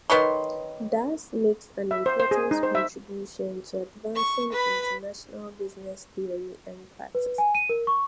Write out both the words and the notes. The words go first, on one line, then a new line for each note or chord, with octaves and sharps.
Thus makes an important contribution to advancing international business theory and practice.
D#3 B4 C#5 C6
E5
C5
C5
G#4
D#4
C5
E5
C#6
B4 B5
B4
G#5
D#7
A#4
C#6